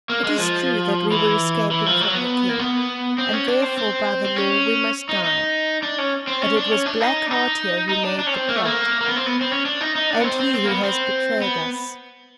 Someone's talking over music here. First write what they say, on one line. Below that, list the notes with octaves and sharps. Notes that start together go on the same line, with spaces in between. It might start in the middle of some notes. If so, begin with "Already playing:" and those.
It is true that we were escaping from the king, and therefore by the law we must die; but it was Black Heart here who made the plot, and he who has betrayed us.
A#3
G#3
F3
E3
E3
F3
F#3
B3
A#3
B3
C4
C#4
D4
C4
C4
C4
C#4
D#4
D#4
D4
C#4
C4
C#4
D4
C#4
D4
D#4
D4
D#4
D#4
D4
D4
C#4
C4
A#3
A3
A#3
A#3
B3
C4
B3
C4
C#4
D4
D#4
D#4
D4
B3
C4
C4
C4
A#3
B3
C4
B3